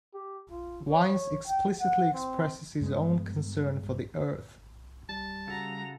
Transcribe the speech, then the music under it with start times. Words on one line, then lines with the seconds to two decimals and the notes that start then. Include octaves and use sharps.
Wines explicitly expresses his own concern for the Earth.
0.14 G4
0.51 F4
0.90 C#5
1.47 G5
1.80 F#5
2.13 C4
2.81 G2 G#3 A3 B3
5.09 G3 A5
5.47 C#3 F#4 A4 A#5